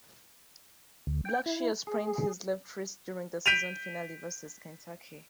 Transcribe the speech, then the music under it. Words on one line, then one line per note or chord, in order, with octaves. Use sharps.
Blackshear sprained his left wrist during the season finale versus Kentucky.
D2
G5
E4
G#4
G6 B6 D7 D#7 F7